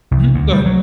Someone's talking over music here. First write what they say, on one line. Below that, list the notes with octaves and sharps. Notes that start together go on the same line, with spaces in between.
Mhm, go ahead.
C2
D2
G3
F#3